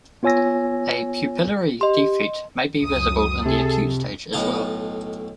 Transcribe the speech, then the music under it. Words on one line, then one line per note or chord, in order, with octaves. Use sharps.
A pupillary defect may be visible in the acute stage as well.
B3 F4 C#5 G#5 E6 A#6
G4 D#5 C6
C#2 F#2 D#6
C3 G#4 A4
F2
B1 A2 D#5 F5 A5